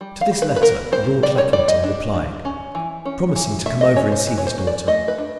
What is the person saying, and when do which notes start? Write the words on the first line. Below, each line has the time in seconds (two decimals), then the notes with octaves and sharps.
To this letter Lord Lackington replied, promising to come over and see his daughter.
0.01 G3
0.21 F5
0.31 G3
0.42 B4
0.56 B4
0.62 B3 A#4
0.92 G3 C5
1.23 G3 D5
1.38 C#5
1.53 G3 D5
1.68 D#5
1.84 D4
2.14 D4
2.45 C#4
2.75 E3
3.05 C#4
3.36 E3
3.66 A3 E5
3.81 D#5
3.96 C#4 C#5
4.12 C5
4.27 E3 B4
4.38 C#5
4.47 C5
4.57 C#4
4.67 D5
4.87 A3 D#5
5.08 B4
5.18 D4